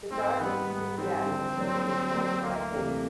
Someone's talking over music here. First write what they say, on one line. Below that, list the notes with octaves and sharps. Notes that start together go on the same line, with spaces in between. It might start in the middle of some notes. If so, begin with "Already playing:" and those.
The Dargins see death as predetermined by faith.
G#2 C4
D#3 G3 B3
G#2 B3
D#3 G3 C4
D3
F#3 A#3 D4
D3
F#3 A#3 D4
D2 A#3
C3 E3 A3 D4